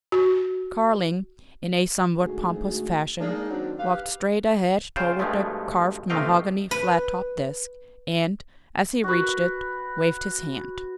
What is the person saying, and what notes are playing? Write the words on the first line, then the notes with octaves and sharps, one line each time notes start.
Carling, in a somewhat pompous fashion, walked straight ahead toward the carved-mahogany flat-topped desk, and, as he reached it, waved his hand.
F#4
D2 G#2 A3 F#4 G#4
G#3 A#3 D4 D#4
D#3 F#3 C4 D4
G4 B4 F5
C#3 F4 C5 G5
G2 B2 F3 G#3 A3
G1 C3 A3 D#5 F5 G5
B4
F#4 B4